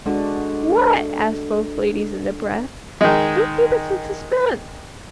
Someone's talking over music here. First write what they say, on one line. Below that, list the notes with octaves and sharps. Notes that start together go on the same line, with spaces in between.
"What?" asked both ladies in a breath; "don't keep us in suspense."
D3 G#3 D4 F#4
D#3 G#3